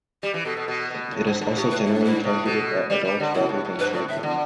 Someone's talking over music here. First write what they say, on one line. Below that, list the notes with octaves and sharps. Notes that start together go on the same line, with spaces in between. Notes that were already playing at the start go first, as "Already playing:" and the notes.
It is also generally targeted at adults, rather than children.
G3 G4
E3
B2 A4
B2
B2
B2
A2
G2
G2
A2 G4
B4
E4
D4
G2 E4
A2
B2 A4
G3
G3
D3
B2 E4
A2
A2
G2 B4
A2 D5
A2 E5
D3